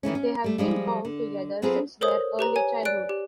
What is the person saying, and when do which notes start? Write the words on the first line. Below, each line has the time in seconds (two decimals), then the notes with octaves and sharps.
They have been bound together since their early childhood.
0.03 D#3 E3 A3 C#4
0.15 C#4
0.44 G3 A3
0.58 F3 G3 G#3
1.05 D3
1.62 F#3 C4 F4 G#4 A4 B4
2.01 A4 A#4 C5 C#5 D#6
2.39 G4 B4 A#5
2.56 C#5 G#5
2.85 D5 F#6 D7
3.09 G4